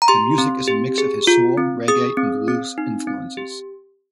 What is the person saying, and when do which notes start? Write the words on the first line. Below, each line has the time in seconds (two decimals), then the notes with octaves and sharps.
The music is a mix of his soul, reggae, and blues influences.
0.02 A#5
0.08 G4 C6
0.38 C4
0.68 G4
0.98 G#4
1.27 F4
1.58 C4
1.88 G#4 D#6
2.17 C4
2.48 C4
2.78 D#4
3.07 C4
3.37 G4